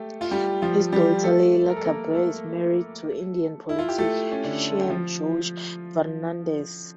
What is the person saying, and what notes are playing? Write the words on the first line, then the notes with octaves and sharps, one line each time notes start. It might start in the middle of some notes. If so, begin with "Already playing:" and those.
His daughter Leila Kabir is married to Indian politician George Fernandes.
Already playing: A3 G4 A4
F4
G3 G4
F3 F4
G3 G4
A3 A4
A#4
A4
A#3 A#4
A3 A4
E4
F4
G4
A3 A4
C#4
D3 D4
A4
G4
F3 F4